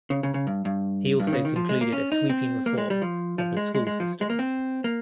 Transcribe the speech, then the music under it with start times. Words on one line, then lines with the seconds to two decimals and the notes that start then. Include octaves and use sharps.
He also concluded a sweeping reform of the school system.
0.10 C#3
0.23 C#3
0.34 C#3
0.47 G2
0.65 G2
1.20 G2
1.27 D#3
1.32 C#3
1.45 D#3
1.56 F3
1.69 G#3
1.81 A#3
1.93 C#4
2.12 D#4
2.30 C4
2.66 A#3
2.78 G#3
2.90 G3
3.02 F3
3.38 F3
3.57 G#3
3.75 G#3
3.87 G#3
4.00 F3
4.21 G#3
4.30 A#3
4.39 C4
4.84 A#3